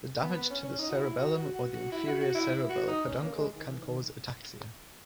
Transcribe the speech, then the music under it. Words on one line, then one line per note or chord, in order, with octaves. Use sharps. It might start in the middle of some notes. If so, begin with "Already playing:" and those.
The damage to the cerebellum or the inferior cerebellar peduncle can cause ataxia.
B3
B3
C#4
C#4
D#4
F#4
E4
F#4
F#4
F#4
F#4
E4
F#4
F#4
E4
E4
F#4
D#4
C#4
A#3
G#3
D#3
E3
D#3